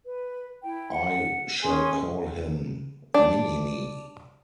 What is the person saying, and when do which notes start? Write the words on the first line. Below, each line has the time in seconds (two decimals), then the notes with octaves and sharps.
I shall call him... Mini-Me.
0.03 B4
0.63 E4 G5
0.91 F#5
1.62 C#4 G#4 G#5 C6
3.14 D4